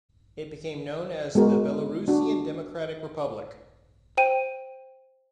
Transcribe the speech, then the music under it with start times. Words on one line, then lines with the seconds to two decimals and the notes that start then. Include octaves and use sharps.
It became known also as the "Belarusian Democratic Republic".
1.35 G#3 B3 F#4 A#4
2.08 D4 F#4
4.17 C5 G5 D#7